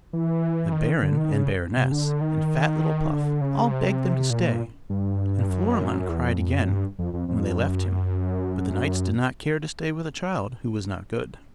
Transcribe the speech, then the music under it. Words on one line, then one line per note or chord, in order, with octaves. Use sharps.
The baron and baroness and fat little Puff all begged them to stay, and Florimond cried again when they left him; but the knights did not care to stay with a child who was not good.
E3
D#3
D3
D#3
C#3
C3
D3
D#3
D3
C#3
C3
A#2
G2
F#2
E2
F2
F2
F#2
G2
F2
F2
F2
F#2